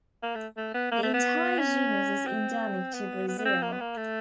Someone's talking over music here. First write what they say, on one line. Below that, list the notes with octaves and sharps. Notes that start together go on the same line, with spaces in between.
The entire genus is endemic to Brazil.
A#3
A3
A3
B3
A#3
A3
B3
C#4
C4
B3
B3
B3
C4
A#3
B3
A#3
A3